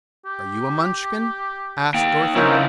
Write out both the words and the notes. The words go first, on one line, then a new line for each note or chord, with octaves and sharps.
"Are you a Munchkin?" asked Dorothy.
G4
A#3 G5
C#3 F3 C4 C#4 D#4 E4 A#4